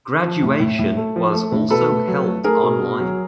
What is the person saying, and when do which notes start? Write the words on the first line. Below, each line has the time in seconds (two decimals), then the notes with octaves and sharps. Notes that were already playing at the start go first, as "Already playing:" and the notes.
Graduation was also held online.
0.23 F3
0.42 A2
0.60 A2
0.79 A2
0.97 A3
1.16 F3
1.33 A3
1.52 A2
1.70 B2 A4 B4
1.89 A3
2.07 F#3
2.26 A3
2.44 A3 G#4 A#4
2.63 B2
2.81 B2
3.00 F#3